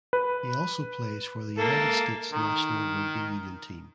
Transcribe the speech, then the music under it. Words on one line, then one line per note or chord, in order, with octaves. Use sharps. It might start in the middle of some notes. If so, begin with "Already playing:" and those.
He also plays for the United States national rugby union team.
B4
A#3 A4
D#3